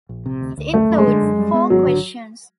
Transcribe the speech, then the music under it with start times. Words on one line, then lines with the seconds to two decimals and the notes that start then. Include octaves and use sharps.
It includes four questions.
0.09 A#1
0.26 C3
0.41 D2
0.58 D2
0.73 F#2 A3
0.89 F#2
0.98 G#3
1.07 D3
1.22 F#2
1.38 G3
1.54 B3
1.70 G#1 F#3
1.87 D3